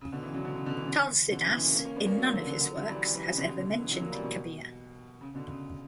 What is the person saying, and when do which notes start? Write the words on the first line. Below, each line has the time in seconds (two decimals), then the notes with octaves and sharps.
Tulsidas, in none of his works, has ever mentioned Kabir.
0.01 C#3
0.12 B2 D3
0.23 C#3 E3
0.34 D3 F#3
0.45 B2 D3
0.56 C#3
0.66 B2 D3
0.77 C#3 E3
0.87 B2 D3
1.31 B2 D3
1.42 C#3 E3
1.53 C#3 E3
1.64 A#3 C#4
1.74 A#3 C#4
1.85 A#3 C#4
1.96 B3 D4
2.06 A#3 C#4
2.17 F#3 A#3
2.32 D3 F#3
2.47 D3 F#3
2.61 D3 F#3
2.75 D3 F#3
2.90 E3 G3
3.05 E3 G3
3.15 E3 G3
3.25 C#3 E3
3.37 B2 D3
3.48 C#3
3.58 B2 D3
3.69 B2 D3
3.80 C#3 E3
3.90 D3 F#3
4.01 F#3 A#3
4.12 E3 G3
4.23 B2
5.21 C#3
5.35 B2 D3
5.50 C#3